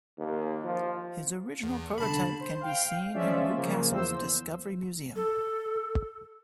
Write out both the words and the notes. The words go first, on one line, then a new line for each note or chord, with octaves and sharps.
His original prototype can be seen in Newcastle's Discovery Museum.
D#2
F3
E2
C2 D3 A5 B5
C5
F5 G5
F3 G#3 C#4 F4 D5 E5
C#3 F3 A#3
E2 C5 E6
A4